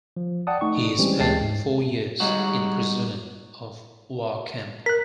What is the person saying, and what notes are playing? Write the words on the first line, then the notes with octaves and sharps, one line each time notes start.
He spent four years in a prisoner of war camp.
F3
D5 F#5 G5 A5 D#6
A3 D#4 C#6
E3 G3 G#3 C4 C#4 G4
D2 G#3 G5 A5 A6 C7
G#2
G3 G#3 D#4 F#4
A#4 F#6 B6